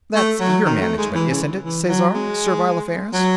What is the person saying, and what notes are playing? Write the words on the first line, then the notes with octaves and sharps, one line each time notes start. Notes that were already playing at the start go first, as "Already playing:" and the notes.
"That's your Management, isn't it, Sesar; Servile Affairs?"
A3
F#3
D#3
A3
G#3
E3
C#3
E3
F#3
G#3
F#3